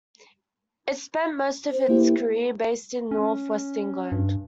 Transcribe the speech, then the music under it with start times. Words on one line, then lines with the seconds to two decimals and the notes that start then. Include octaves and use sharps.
It spent most of its career based in North-West England.
1.72 C5
1.88 A#3 E4 G4
3.11 C#4
4.12 G2